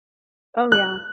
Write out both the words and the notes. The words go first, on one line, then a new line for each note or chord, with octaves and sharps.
Oh, yeah.
F#6